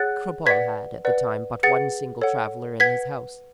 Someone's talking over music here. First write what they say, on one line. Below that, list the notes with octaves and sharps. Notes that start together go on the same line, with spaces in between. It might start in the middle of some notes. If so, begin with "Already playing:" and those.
Cropole had, at the time, but one single traveler in his house.
Already playing: G#4 C#5 F#5 F#6 A6
B4 D5 F#5 G#6 B6
B4 D5 F#5
G#4 B4 F#5 A6 C#7
A4 C#5 F#5
B4 F#5 G#6 B6